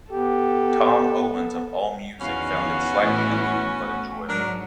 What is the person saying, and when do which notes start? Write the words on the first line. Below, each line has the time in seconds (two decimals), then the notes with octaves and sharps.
Thom Owens of Allmusic found it "slightly uneven but enjoyable".
0.12 B3 G4 A4
2.21 E2 D#3 B3 C#4 F#4 F5
2.98 A2 E3 E4
3.84 A3
4.28 G#2 F#3 D4 A#4